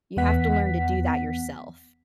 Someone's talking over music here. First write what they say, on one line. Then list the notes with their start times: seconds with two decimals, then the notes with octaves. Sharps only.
you have to learn to do that yourself
0.17 E2 B3 F#5 B6